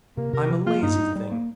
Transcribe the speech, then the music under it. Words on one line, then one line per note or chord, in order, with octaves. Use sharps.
I'm a lazy thing.
C3 A#3
C3 A#4
F3
A#3 F4
G2 D#4
G2
G3
A#3